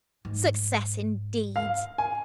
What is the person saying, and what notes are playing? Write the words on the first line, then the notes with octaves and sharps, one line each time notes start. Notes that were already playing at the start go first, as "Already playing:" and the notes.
Success indeed!
G#2
F5
G#5